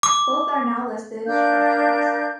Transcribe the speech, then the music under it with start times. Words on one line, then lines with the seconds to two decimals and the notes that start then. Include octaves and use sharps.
Both are now listed structures.
0.03 D6
1.27 D4 A#4 F5 G6